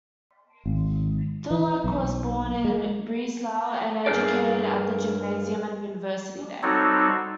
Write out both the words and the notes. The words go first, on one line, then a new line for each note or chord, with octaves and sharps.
Tholuck was born at Breslau, and educated at the gymnasium and university there.
G#1
E3
B1
G#3
G2 G3 G#4 A#4 D5
G3 C4 D#4 F#4 A4 C#5